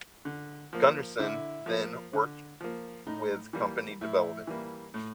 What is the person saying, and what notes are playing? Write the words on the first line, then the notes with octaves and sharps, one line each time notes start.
Gunnarsson then worked with company development.
D3
F3 A#3
D3 E4
F3 A#3
D3
F3 A#3
A2 D#4
E3 G3 A#3
A2 E4
E3 G3 A#3
A2